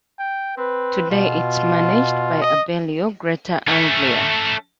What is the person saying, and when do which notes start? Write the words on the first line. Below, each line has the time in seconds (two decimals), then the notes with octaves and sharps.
Today it is managed by Abellio Greater Anglia.
0.19 G5
0.58 C4 B4
1.10 B2 F4
2.42 D#5
3.68 A3 C#4